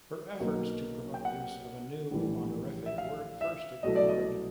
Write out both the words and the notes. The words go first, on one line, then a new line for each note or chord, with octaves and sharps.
Her efforts to promote use of a new honorific were at first ignored.
B1 B2 F#3 A#3 D#4
G5
F#5
A#1 A2 E3 G3
E5
F5
E5
C2 B2 F#3 A3 D#5
D5
D#5